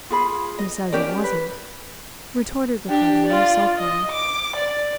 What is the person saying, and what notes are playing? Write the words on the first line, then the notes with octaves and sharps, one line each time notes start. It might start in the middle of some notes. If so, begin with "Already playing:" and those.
"Who says it wasn't?" retorted Ricardo sulkily.
F4 G#4 B5
D#5
C#4 G4 A#4 D5
B4
D4 G4
F4 D5
D#5
D6
D5